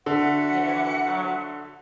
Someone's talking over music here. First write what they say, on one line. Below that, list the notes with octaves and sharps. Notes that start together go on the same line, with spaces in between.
you know, um,
D3 F#4 E5 F#5